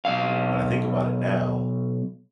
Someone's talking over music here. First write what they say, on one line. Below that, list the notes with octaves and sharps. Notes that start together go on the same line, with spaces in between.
when I think about it now,
B1 F#2 F5